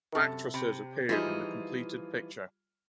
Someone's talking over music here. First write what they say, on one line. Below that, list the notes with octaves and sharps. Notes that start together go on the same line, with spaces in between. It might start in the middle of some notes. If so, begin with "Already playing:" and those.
No actresses appeared in the completed picture.
F#2 C3 A4 A5
C3 B5
E3 F3 G3 D#4 F4 G#4